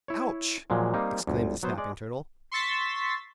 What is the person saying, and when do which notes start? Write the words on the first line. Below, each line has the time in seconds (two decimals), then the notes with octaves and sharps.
"Ouch!" exclaimed the Snapping Turtle.
0.08 E4 C#5
0.70 A#2 F3 F#3 G#3
0.94 G3 A#3 C4 D#4
1.27 G1 D2
1.63 F#3 B3 C5
1.78 G#3 D5
2.51 C6 C#6 E6 A6 B6